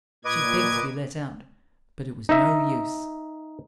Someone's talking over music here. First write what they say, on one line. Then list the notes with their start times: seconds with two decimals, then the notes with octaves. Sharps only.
She begged to be let out, but it was no use.
0.25 A#2 B4 D#5 D6 G#6
2.29 D#4 E5